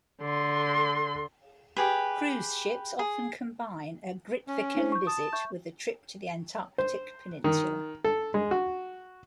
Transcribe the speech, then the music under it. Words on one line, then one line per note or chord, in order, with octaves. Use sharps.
Cruise ships often combine a Grytviken visit with a trip to the Antarctic Peninsula.
D3 C6
G4 G#4 B4
G#4
C#4
D4 E4 C5
C#6 G6
A5 D#6
E5 C#6 G6
C5
D#3
A4
G#3
F#4